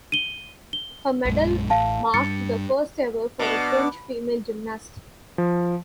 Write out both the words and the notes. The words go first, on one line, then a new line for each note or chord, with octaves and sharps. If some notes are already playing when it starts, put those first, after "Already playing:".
Her medal marked the first ever for a French female gymnast.
D#7 G7
G7
A#1 F#2 G#3
A1 F5 A5
G2 A6 C#7
B2 B3 D4 D6
F3